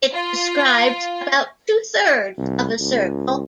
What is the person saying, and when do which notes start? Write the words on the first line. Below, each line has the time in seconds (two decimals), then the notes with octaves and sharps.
It describes about two-thirds of a circle.
0.13 F4
2.38 C2
2.80 C#2